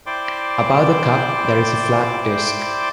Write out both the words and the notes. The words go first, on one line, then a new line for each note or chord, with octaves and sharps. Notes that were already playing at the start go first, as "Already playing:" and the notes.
Above the cup, there is a flat disc.
E4 C5 D5 G5 C6 D6